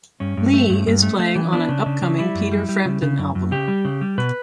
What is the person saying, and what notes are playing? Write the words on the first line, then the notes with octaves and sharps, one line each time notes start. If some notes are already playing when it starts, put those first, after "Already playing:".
Lee is playing on an upcoming Peter Frampton album.
G2 C#4
G2
A3
G2
G2
A3
A3
E3
B3 D4
C#3
C#3
C#3
G3 E4
F#2
G3
G3
C#3
C#3
F#2
F#2
C#3 G4
G3
C#3
G3
B2 B4